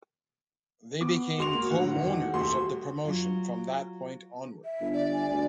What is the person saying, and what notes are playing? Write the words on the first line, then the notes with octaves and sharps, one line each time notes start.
They became co-owners of the promotion from that point onward.
B3 D6
G#3 F#4 C6 F7
A#3
A2 D3 F#3 F#5
E1 D#3
D#1 A3 F#4 C6
F#3 F4
E5
G1
D5 E5
G#5
D2